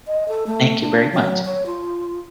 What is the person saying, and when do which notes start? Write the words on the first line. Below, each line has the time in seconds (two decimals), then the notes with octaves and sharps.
Thank you very much.
0.07 D#5
0.28 A4
0.47 A3
0.81 D4
1.12 F#3
1.45 C#5
1.66 F4